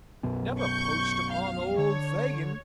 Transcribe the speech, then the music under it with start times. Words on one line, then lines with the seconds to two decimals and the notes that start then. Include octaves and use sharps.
Never poached upon old Fagin!
0.23 B1 F#2 B2
0.60 C#6 G6
1.33 F5
1.78 D3 C#5